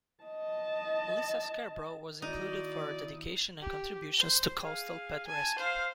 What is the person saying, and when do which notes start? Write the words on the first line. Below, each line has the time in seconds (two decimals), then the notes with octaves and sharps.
Lisa Scarbrough was included for her dedication and contributions to Coastal Pet Rescue.
0.23 D#5 A5
2.22 D#2 D#4 E4 F#4 D5 D#6
3.61 G4
4.18 C5
4.61 G#4 F5
5.27 G#5 A5
5.58 C5 F5